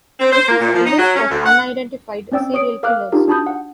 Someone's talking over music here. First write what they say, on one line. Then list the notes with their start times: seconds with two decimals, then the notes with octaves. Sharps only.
This is a list of unidentified serial killers.
0.20 C4
0.31 C5
0.47 A#3
0.60 A#2
0.73 F3
0.85 D#4
0.97 F#3
1.15 C#4
1.29 D2
1.45 F#5
2.32 C4 C#4 D5 G5 E6
2.54 C#5 D#6 D7
2.83 A#4 F5 D6 F6 F#6
3.12 D4 D#4 F4 G4 A#4
3.28 D4 F#4 A5 B5 D#6 G6
3.47 F#5